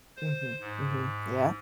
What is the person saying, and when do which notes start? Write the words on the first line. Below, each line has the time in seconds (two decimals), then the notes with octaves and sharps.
Mhm, mhm, yeah.
0.16 C5
0.60 G#2